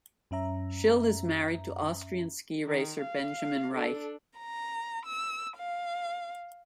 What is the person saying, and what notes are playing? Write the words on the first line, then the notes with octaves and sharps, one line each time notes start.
Schild is married to Austrian ski racer Benjamin Raich.
F#2 C#4 E5 A#5
D#3
F5
D4 A4
A#5
E6
F5